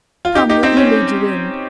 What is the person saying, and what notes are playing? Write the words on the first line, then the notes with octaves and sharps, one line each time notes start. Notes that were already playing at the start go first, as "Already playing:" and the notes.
Come, let me lead you in.
F4
D#4 G4
D#4 G4
C4 D#4
C#4